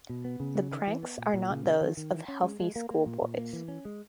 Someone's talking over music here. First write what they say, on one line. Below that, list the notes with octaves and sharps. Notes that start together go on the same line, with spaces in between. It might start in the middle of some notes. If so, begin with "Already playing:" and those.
The pranks are not those of healthy schoolboys.
B2
B3
C#3
F#3
D#3
E3
B3
A#2
A#2
C#3
C#3
D#3
D#3
E3
C#4
G#3
G#3
A#3
A#3
A#2
A#2
A#3
E3
C#4
G#3